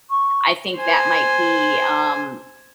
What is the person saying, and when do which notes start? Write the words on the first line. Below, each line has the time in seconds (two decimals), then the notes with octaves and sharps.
I think that might be, um,
0.10 C#6
0.77 C5 G#5